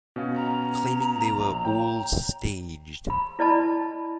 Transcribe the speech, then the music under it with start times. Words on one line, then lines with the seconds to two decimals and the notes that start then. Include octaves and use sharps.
Claiming they were all staged.
0.16 B2 C#4 F5
0.36 A#5
1.38 A#1
1.63 C#5 G5
3.10 B5
3.39 E4 D5 D#5 A5 B5